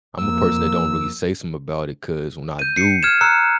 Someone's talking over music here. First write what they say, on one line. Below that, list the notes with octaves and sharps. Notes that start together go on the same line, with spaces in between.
I'm a person that don't really say some about it 'cause when I do,
F2 A#3 E6
G6 D#7
C7 C#7
F6 G#6 E7
A#5 E6 F#6 C#7